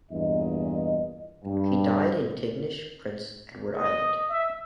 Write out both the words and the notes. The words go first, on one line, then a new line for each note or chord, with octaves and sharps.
He died in Tignish, Prince Edward Island.
E2 G2 A#2 D#5
G2
D#5
E5